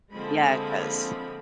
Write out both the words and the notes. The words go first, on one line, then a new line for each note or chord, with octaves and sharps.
Yeah, it does.
D3 F3 G#3 A#3 C4 B5